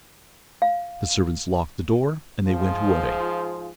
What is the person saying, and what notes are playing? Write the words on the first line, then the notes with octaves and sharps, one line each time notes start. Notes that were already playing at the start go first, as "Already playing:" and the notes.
The servants locked the door, and they went away.
F5
G#2 F3 F4 G#4 C5